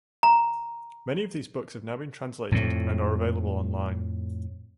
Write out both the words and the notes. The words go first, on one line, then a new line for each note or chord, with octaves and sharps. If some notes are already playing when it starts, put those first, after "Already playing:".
Many of these books have now been translated and are available online.
A#5
F2 A2